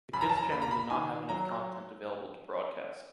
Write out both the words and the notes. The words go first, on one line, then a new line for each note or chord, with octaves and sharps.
The kid's channel did not have enough content available to broadcast.
F#2 B5
A#5
A5
A#5
A#3 B5
A#5
B5
D#3 G#5
F#3 A#5